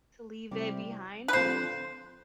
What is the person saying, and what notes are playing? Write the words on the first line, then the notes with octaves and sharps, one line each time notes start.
to leave it behind was
C3 G3 C4 E4 G4
B4
D3 F3 C4 F4 C5